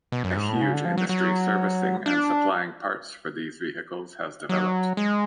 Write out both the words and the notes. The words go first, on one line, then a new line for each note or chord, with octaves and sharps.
A huge industry servicing and supplying parts for these vehicles has developed.
B2
F#2
G#2
A2
B2
C#3
D3
F3
F#3
F#3
D4
F#3
G#3